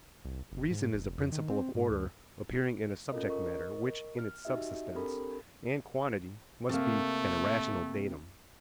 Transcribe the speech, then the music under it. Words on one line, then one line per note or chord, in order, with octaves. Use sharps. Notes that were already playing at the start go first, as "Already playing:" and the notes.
Reason is a principle of order appearing in a subject-matter which in its subsistence and quantity must be an irrational datum.
C2
F#1
G#2
E1
F1
F2
D#3
C4
G#2
D2
C#4 F4 A4 A#4 D#5
A#4 D#5 C#6
F6
D#4 F#4 G4 D#5 E5
C4 D4 G4 A4 A#4 B5
C3 A3 A#3